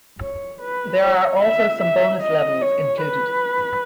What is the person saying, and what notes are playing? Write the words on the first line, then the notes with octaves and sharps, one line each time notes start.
There are also some bonus levels included.
C#5
B4
C#5
E5
E5
D#5
C#5
B4